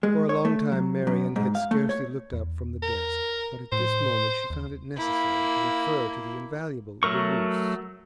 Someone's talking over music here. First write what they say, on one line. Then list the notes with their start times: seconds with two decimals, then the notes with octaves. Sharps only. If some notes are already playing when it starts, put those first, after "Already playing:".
For a long time Marian had scarcely looked up from the desk, but at this moment she found it necessary to refer to the invaluable Larousse.
0.03 G#3
0.29 C#5
0.45 A3
0.72 F#3
1.07 F#2
1.36 G#2
1.55 F5
1.71 A3
1.89 C#5
2.33 E2
2.83 A#4
3.72 A2 C5
4.50 D#2
4.97 A#3 E4
7.03 F#3 A3 A#4 C#6